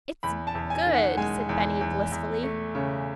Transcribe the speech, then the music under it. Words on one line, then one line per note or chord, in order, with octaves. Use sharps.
"It's good," said Benny blissfully.
E2 B5
A5
E2
G#5
D#3
F#5
G#3 G#5
E2
E2
E2
A3
C#3